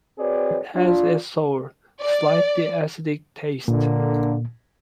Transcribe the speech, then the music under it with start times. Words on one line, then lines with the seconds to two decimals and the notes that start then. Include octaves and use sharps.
It has a sour, slightly acidic taste.
0.19 C4 F#4 G#4 B4 C#5 D5
0.76 D4 F4
2.01 D5
3.68 A#2 D3 A#3